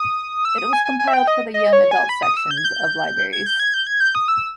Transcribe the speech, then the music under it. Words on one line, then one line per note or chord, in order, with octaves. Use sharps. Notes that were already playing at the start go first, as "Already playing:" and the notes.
It was compiled for the Young Adult sections of libraries.
Already playing: D#6
E6
D#6
G#5
G#5
G#5
E5
G5
D#5
D#5
C#5
G#5
B5
D#6
E6
G6
G#6
G6
G#6
G6
G#6
G6
G#6
G6
D#6
E6